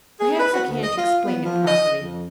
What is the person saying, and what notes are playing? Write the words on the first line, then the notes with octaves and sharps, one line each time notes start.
Perhaps I can't explain it properly.
G#4
B4
F#4
D2
D#5
F4
B3
F3
D#5
F2